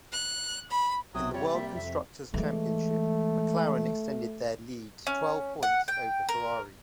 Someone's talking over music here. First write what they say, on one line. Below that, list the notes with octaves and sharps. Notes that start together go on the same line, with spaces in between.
In the World Constructors Championship, McLaren extended their lead to twelve points over Ferrari.
F#6
B5
B1 C3 F#3 D#6
F2 G3 C#5
A#3 E5
F2 E5
E3 G#3 A3
C#4
F#5
G5
A#4